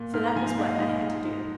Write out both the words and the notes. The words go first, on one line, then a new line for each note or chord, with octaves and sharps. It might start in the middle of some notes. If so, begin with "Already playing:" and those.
So that was what I had to do.
Already playing: A#2
G#2 F6
A#5
F3 G#5
F5
G#2 D#5
F5
G#2 D#5
G#2
G#2